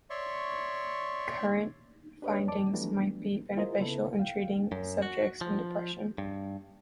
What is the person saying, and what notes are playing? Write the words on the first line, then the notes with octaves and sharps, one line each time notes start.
Current findings might be beneficial in treating subjects in depression.
C#5 D5 E5 C6 C#6
D4 G4 B4 C#5 D#5
F2 G3 D5 A5 D6
E3 F#3 G3 A3 B3 D4
E4 F4 G#4 A#4 C5 D#5
C#3 B3 E4 A4 B4
F5 G5
F#2
F#4
F3
G2